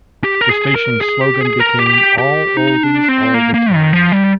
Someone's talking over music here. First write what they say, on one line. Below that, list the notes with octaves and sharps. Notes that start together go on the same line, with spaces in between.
The station's slogan became "All Oldies, All The Time".
G4
A#4
G#4
A#4
G#4
G4
G#4
A#4
G4
G4
D#4
D4
C4
A#3
A#3
D#3
F3
G3